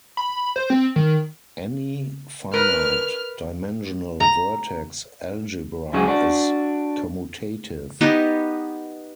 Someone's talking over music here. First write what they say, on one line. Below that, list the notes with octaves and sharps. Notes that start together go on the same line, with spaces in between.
Any finite-dimensional vertex algebra is commutative.
B5
C5
C4
D#3
A#4 B4 F6
A#5
F#2 C#3 G#3 F#4 G#4
D4 F#4
B3 D#4 G4